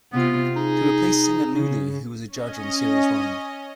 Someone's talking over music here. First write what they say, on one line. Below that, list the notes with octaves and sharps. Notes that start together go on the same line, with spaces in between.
He replaced singer Lulu, who was a judge on series one.
C3 B3 F4
D#4 G#4
C#3
C#4 D#5